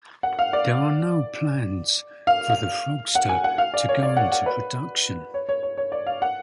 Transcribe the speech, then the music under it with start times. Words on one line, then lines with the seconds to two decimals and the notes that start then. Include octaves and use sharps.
There are no plans for the Frogster to go into production.
0.23 F#5
0.39 F5
0.53 D5
2.27 F5
2.50 F5
3.15 F#5
3.29 G#5
3.44 F#5
3.58 F5
3.74 D5
3.89 C#5
4.03 D5
4.17 F#5
4.32 F#5
4.46 B4
5.34 C#5
5.49 C#5
5.63 C#5
5.78 C#5
5.92 D5
6.06 F5
6.22 F#5